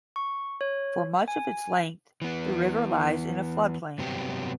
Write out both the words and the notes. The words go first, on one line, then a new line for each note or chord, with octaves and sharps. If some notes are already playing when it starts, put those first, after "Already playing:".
For much of its length the river lies in a floodplain.
C#6
C#5
G#5
E3 B3
G2 C3 F#3 B3 G4